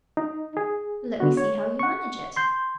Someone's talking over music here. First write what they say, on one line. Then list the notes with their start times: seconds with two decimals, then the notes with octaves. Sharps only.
'Let me see how you manage it.'
0.17 D#4
0.57 G#4
1.20 D3 B3 F#4
1.37 C#5
1.79 F#5 C#6
2.36 C6 G6